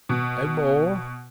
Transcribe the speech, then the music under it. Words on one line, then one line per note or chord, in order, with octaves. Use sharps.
No more?
B2